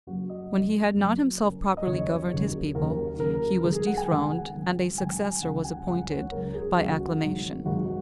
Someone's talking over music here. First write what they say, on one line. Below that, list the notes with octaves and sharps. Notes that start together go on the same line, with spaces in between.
When he had not himself properly governed his people, he was dethroned, and a successor was appointed by acclamation.
F#1 F#2 F#3 F#4
D#5
F#1 F#2 F#3
F#1 F#2 F#3
F#1 F#2 F#3
D#5
D#2 C#3 F#3 C#5
D#2 C#3 F#3
D#2 C#3 F#3 A#4
D#2 C#3 F#3 A#4
G#1 F#2 F#3 G#4
G#4
F#5
G#5
G#1 F#2 F#3 F#5
G#1 F#2 F#3
G#1 F#2 F#3 G#5
C#2 C#3 F#3 F#5
G#5
C#2 C#3 F#3 F#5
C#5
C#2 C#3 F#3 A#4
G#4
C#2 C#3 F#3 F#4
G#1 G#2 F#3
G#1 G#2 F#3 F#4